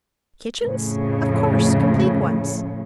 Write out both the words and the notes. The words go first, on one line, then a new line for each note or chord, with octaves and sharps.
"Kitchens?--of course--complete ones."
F2 A2 C#3